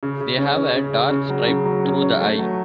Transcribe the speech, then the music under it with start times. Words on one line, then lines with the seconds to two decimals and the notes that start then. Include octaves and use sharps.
They have a dark stripe through the eye.
0.03 C#3
0.20 C#3
0.38 C#4
0.57 C#4
0.76 C#3
0.94 C#4
1.11 C#3
1.30 F#3
1.48 C#3
1.65 F#3
1.85 C#4
2.02 C#4
2.21 A3
2.39 F#3